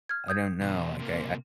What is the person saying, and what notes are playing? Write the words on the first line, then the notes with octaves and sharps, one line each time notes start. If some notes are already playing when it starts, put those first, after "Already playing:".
I don't know, like, I
F6 G#6
D#6 G6 G#6
E2 B2
C3 A#3